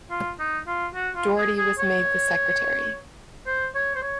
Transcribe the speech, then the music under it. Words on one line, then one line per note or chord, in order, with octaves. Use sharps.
Doherty was made the Secretary.
F4
D#4
F4
F#4
F4
G#4
G#4
C#5
C5
C#5
C5
C#5